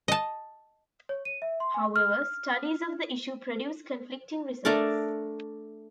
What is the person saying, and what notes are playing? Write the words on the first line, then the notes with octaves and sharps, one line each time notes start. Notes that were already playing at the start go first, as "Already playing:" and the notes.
However, studies of the issue produce conflicting results.
D#5 A5
C#5
D#7
E5
C6
G#5
F6
A3 D4 A#4 D6